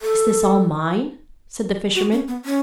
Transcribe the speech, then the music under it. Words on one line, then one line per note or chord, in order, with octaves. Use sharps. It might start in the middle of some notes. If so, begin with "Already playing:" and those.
"Is this all mine?" said the fisherman.
A4
F#4
C#4
B3
C#4